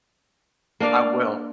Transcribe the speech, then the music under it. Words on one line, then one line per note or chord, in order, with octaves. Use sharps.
I will.
A#3 D4 D5 F5